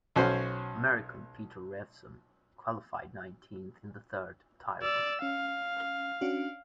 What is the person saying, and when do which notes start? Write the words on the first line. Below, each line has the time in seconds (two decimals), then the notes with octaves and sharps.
American Peter Revson qualified nineteenth in the third Tyrrell.
0.16 B1 C#4 F#4 C5
4.82 D5 E6
5.22 C#4 F5
6.21 C#4 D4 F#4